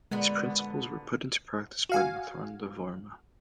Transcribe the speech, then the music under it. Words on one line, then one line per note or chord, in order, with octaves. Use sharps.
These principles were put into practice by Marthanda Varma.
A#2 D3 G#3 B3
F#4 F5 G#5